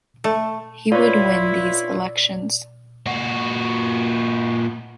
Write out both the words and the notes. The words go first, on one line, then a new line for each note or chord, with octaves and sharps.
He would win these elections.
A3
E4 F4 B4 C#5 D5
A#2 F#4